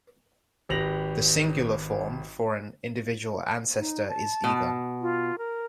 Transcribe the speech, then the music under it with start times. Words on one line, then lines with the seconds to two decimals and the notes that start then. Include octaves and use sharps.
The singular form, for an individual ancestor, is Egun.
0.69 G#1 G4 B4 A#6 F7 F#7
3.78 D#4
4.09 A5
4.44 B2
5.02 F4
5.38 A#4